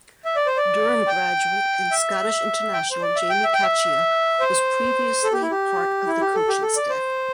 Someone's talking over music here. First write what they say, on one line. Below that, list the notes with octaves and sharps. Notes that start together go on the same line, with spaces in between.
Durham graduate and Scottish international Jamie Cachia was previously part of the coaching staff.
E5
D5
C5
D5
G5
E5
G5
C5
D5
E5
G5
E5
G5
E5
C5
A4
G4
E4
G4
E4
G4
A4
G4
A4
D5
C5